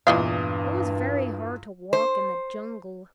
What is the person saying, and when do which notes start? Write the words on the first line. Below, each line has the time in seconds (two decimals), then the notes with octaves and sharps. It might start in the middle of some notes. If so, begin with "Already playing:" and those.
It was very hard to walk in the jungle.
0.07 E2 G2 A#2 E3 D#5 F5 D#6
1.93 C5